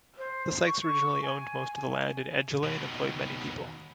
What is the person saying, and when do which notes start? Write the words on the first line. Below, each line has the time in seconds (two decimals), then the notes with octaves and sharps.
The Sykes originally owned most of the land in Edgeley, and employed many people.
0.18 C5
0.66 C#6
1.23 G#5
2.63 D#2 B2